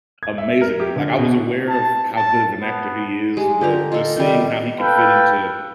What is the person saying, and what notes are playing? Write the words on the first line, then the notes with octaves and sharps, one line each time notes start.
amazingly, like, I was aware of how good of an actor he is, but just seeing how he could fit into,
G#6
E5
A#4
G4
D3
B2
A5
A5
B3
G#3 G4
D3 F4 G4 A#5
F4 A4 D#5
D#3 G3
A4 B4 F5 G5